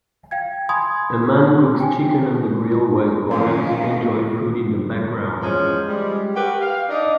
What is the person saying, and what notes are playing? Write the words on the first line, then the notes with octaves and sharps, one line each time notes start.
A man cooks chicken on the grill, while others enjoy food in the background.
F5 G5 G#6
G#5 B5 C6 D#6 G#6
G5 G#5
F#2 A#2 D#3 F3 F5
E2 F3 G#3 C#4
G3 G#3
F#4 G4 A#4 B4
F5
D4 D#4 D#5